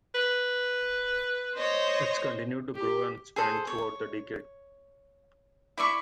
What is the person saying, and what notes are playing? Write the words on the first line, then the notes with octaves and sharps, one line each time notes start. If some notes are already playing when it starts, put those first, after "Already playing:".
It continued to grow and expand throughout the decade.
B4
C5 C#5 D#5
G4
G#4 A4 C5
C#5
E4 D5 E5 C#6